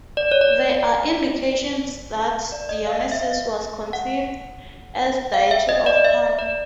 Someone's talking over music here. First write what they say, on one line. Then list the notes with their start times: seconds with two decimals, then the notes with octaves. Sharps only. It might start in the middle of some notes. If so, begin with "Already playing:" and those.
There are indications that Dionysus was conceived as a deity of corn.
0.17 D5
0.32 C#5
0.41 D5
2.52 D5
2.69 D#5
2.87 F5
3.01 D#5
3.12 E5
3.22 F5
3.93 F#5
5.34 F5
5.51 E5
5.69 D#5
5.86 D5
6.04 E5
6.39 D5